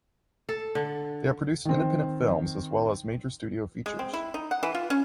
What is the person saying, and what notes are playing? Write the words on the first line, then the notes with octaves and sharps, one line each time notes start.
They have produced independent films as well as major studio features.
A4
D3
D#3 C4
G#3
C4
E4
D#4
F#5
E3
F4
C#4